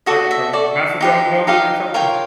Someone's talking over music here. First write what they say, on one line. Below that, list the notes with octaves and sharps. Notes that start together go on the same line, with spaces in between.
Like, the mastodon bone or something?
F#4 A4 D5 D#5
E5
F#4 A4 D5
D#4 G4 B4
D#4 G4 B4 D#5 F5
F4 A#4 C#5 F5 G5